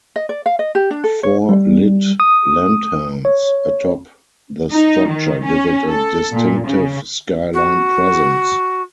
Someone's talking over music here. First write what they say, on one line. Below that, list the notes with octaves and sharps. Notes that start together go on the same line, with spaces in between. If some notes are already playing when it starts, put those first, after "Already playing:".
Four lit "lanterns" atop the structure give it a distinctive skyline presence.
D#5
D5
F5
D#5
G4
D4
A4
C#5
G3
D#6
C#5
D#4
D#3
C#4
A4
A#2
C#3
F#4